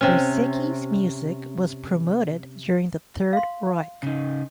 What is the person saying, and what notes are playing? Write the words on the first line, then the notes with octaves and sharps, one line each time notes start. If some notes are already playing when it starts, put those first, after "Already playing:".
Draeseke's music was promoted during the Third Reich.
C3 C#4
F5 C6
C#3 D#4